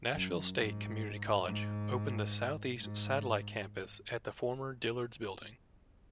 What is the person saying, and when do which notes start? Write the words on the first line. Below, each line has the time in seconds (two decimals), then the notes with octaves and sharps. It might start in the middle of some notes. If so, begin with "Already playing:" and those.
Nashville State Community College open the southeast satellite campus at the former Dillard's building.
0.13 F#2
0.57 G#2
1.47 G#2
2.80 G#2